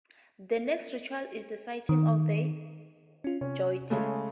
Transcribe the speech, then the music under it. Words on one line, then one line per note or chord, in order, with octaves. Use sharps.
The next ritual is the sighting of the jyoti.
D#3
C#4 F4
C3 C#4
C#3 G#3 A3